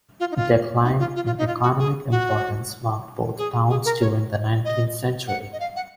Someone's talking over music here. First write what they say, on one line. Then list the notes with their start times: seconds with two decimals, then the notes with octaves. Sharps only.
Decline in economic importance marked both towns during the nineteenth century.
0.20 F4
0.31 D#4
0.36 F4
0.84 D#4
1.00 F4
1.16 F4
1.26 F4
1.38 D#4
1.47 F4
1.63 F#4
1.79 G#4
2.11 F#4
3.38 G#4
3.70 G#4
3.85 A#4
4.01 C#5
4.65 D#5
5.28 F#5
5.53 D#5
5.60 F5
5.76 F#5